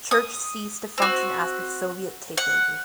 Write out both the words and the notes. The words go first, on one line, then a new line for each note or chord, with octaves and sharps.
Church ceased to function after Soviet takeover.
D#6
C4 F#4
F#5